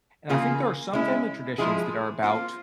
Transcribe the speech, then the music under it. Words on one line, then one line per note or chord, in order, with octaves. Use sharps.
And I think there are some family traditions that are about
C#3 E3 A#3 F4 G#4
G#3 C#4 E4
F3 G#3 E4 G#4
A#3 F4 C5